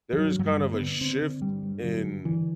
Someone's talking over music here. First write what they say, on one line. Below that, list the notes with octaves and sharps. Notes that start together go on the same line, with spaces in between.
there is kind of a shift in
E3
G2 F#3
G2 F#3
G3
D3
B3
D3
D3 C4
D3
G2 G3
G2
D3 F#3
G2
D3 E3